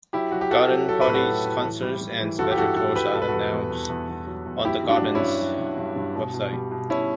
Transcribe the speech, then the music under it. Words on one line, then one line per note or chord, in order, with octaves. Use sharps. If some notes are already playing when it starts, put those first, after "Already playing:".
Garden parties, concerts, and special tours are announced on the garden's website.
F#3 E4 G4
F#3 F#4
G4
F#3 F#4 A4
F#3
F#3 A4
B4
A2
F#4 A4
A2
A2
E3
G3
G3
E3
G2 F#4 A4
G4
E3 F#4 A4
G2 F#4 A4
G3 G4 B4
B2 A4
B4
E2 F#4 A4
E2
E2
E2
E2
F#3
E2
F#3 E4 G4
G2
D4 F#4
G2
C#4 E4
G2
F#3
G2
G2
G2
B2
B2
G3
B2
B2 C#4 E4